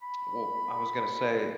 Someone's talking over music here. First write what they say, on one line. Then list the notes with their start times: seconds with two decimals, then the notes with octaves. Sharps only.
Well, I was gonna say
0.02 B5